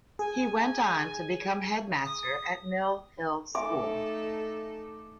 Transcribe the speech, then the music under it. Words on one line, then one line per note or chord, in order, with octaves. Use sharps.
He went on to become Headmaster at Mill Hill School.
G#4 G#5
D#6
A3 D#4 A4 E5 F5 G#5 D6